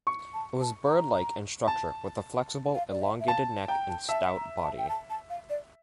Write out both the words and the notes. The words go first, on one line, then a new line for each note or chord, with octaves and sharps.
It was bird-like in structure, with a flexible, elongated neck and stout body.
C#6
A5
A5
A#5
A5
F5
D5
E5
E5
F5 A5
G5 A#5
A5
E5 A5
A#5
A5
G5
A5
A5
F5
D5